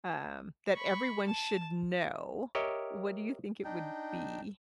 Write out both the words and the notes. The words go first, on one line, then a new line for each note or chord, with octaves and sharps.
um, that everyone should know, what do you think it would be?
B5 C#6
A5
G4 A#4 C#5 D#5 E5
D4 D#4 G5